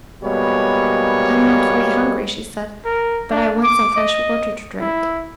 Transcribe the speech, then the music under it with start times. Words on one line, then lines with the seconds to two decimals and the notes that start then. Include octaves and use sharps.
"I'm not very hungry," she said, "but I want some fresh water to drink."
0.23 B2 G3 G#3 A#3 C#5
2.85 A#4
3.31 D4
3.63 D6
3.96 D#5
4.80 E4